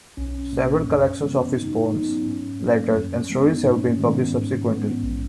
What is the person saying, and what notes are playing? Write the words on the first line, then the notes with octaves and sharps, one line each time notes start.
Several collections of his poems, letters and stories have been published subsequently.
B1 C#4
A#2 A#3
F#2
C#3 E3 G#3 B3
G#2 D#4
F#3 B3 D#4
B3
C#4
G#2 C#4
F#3 A#3
F#2
E3 G#3 B3
D#4
G#2 C#4
D#3 G#3 B3
G#2
E3 G#3 B3
A#1